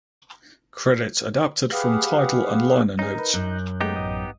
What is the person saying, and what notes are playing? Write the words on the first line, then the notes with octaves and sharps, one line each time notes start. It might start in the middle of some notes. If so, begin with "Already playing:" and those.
Credits adapted from Tidal and liner notes.
G4 G#4 B4 F5 F#5
C#4 D#4 G#4
A#4 B4
F#2 F#6 G6
G#3 A3 B3 D#4 G4
A1 D#5 D#6